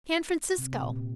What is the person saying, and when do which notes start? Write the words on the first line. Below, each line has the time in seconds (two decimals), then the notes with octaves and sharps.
San Francisco!
0.58 C3
0.73 C3
0.81 A#2
0.96 A#2